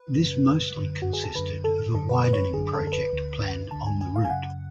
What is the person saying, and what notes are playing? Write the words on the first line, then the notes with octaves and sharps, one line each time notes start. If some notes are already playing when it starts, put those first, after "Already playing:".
This mostly consisted of a widening project planned on the route.
Already playing: B4
F#2 C#3
F#2 D3
F#4
G#4
A4
F#2 D3 B4
A4
F#2 D3 A4
B4
B4
C#5
B4
F#2 D3 G#4
A4
A4
B4
D2 D3
D2 D3 A5
G#5
G#5
F5
G#5
F#2 C#3 F#5